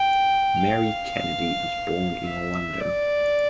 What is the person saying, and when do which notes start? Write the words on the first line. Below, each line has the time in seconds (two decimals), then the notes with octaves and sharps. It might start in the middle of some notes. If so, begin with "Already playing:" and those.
Mary Kennedy was born in Orlando.
Already playing: G5
0.62 F5
2.26 E5
2.81 D5